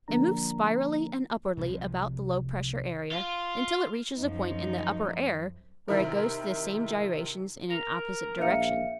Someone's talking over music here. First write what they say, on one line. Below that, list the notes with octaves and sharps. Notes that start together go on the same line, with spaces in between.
It moves spirally and upwardly about the low-pressure area until it reaches a point in the upper air, where it goes through the same gyrations in an opposite direction.
D3 F3 A#3 D4 A#5
C2 C3 E3 F3
F4
F#2 F3 D#4
C3 D#3 E4 A#4
A#4 A#6 F7
A#1 D#4 E5 F5 C#7